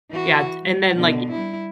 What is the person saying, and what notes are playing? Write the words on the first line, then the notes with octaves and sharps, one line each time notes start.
Yeah d and then, like
E3 F#4
G3
B2 D3
G3 E4